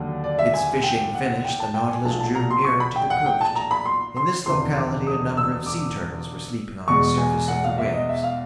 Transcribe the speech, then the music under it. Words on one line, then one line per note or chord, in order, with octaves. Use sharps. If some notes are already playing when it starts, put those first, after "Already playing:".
Its fishing finished, the Nautilus drew nearer to the coast. In this locality a number of sea turtles were sleeping on the surface of the waves.
Already playing: D#2 D3 F#3
D5
E5
G#5
G5
F#5
G5
A5
G5
G#5
B1 A#2 F#3 A3 A5
A5
A#5
C6
C#6
B5
G5
F#5
G5
A5
A#5
B5
C6
C6
E1 D2 C3 D#3 C6
D6
D#6
E6
D6
E2 B2 G#3 C#6
G#5
F#5
F5
E5
D#5
E5
F5